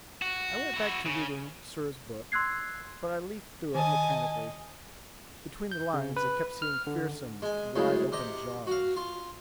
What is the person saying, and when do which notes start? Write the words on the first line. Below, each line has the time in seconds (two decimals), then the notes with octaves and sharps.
I went back to reading Sirr's book, but I leafed through it mechanically. Between the lines I kept seeing fearsome, wide-open jaws.
0.22 F#4
0.74 E4 F#4
1.06 C#3
2.32 C6 E6 F#6 G#6 C7
3.75 D#3 D#5 G#5 A5
5.71 G6
5.94 C#3
6.16 B4
6.62 F6
6.87 D3
7.42 G#3 G#5
7.76 C#2 F#2 A2 G#3
8.12 C3 G4 D#5
8.67 F#4 F5
8.96 F4